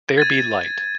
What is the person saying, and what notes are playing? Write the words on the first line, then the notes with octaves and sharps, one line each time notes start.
There Be Light.
G#6 A6 D#7